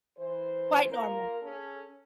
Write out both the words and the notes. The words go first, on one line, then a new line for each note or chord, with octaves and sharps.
Quite normal.
E3 C5
A#3 F4 A#4
C#4 G#4 A4